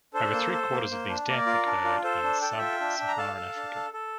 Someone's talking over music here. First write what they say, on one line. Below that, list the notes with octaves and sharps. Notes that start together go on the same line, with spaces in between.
Over three-quarters of these deaths occurred in sub-Saharan Africa.
D4 A4 C5
A#3
A4
A#3
A#3
D4
A#3 A#4 D5
F4
D4
F4
A4 C5
D4
A4 G5
A5
F4 E5 G5
D4
D4
A#5
A4 F5 A5
A4
D4
A4
A4